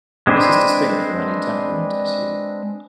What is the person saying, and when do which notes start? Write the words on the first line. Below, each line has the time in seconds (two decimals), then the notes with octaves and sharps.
This is distinct from any temperament issue.
0.27 G#3 C4 D4 B4 C5